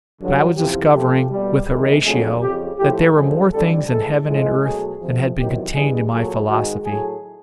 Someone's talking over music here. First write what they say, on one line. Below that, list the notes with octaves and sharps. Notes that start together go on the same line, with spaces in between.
But I was discovering, with Horatio, that there were more things in heaven and earth than had been contained in my philosophy.
G2 D3 F#3
E2 C3 F3 G4
C3 F3 A3 G4
B2 G3
F2 C3 D#3 G#3
F2 D3 F#3 A3 G#4
F2 C#3 F3 G4
A2 F3 A3 G4
F#2 D3 F3 G#3 G#4
F2 D3 G3 A4
A2 E3 G#3 A4
A2 F3 G#3
B2 F#3 A3 G#4
F2 C3 F3
E2 C3 D#3 F#3 G4
G2 E3 G#3 G#4
A#2 F#3 A3 G#4
G#2 D#3 G#3 F#4
A2 F#3 A3 G#4